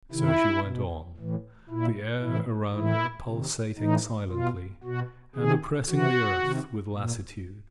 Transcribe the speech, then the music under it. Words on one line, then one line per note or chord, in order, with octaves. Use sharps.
So she went on, the air around her pulsating silently, and oppressing the earth with lassitude.
C3 D#3 E4
B2
A2 E3
A#2 E4
A2 E3 E4
A2 E3 E4
C3 D#3
A2 E3 D#4
B2 F4
B2 F#4
C3 D#3 G#4
C3 E3 F#4
C3 D#3
A#2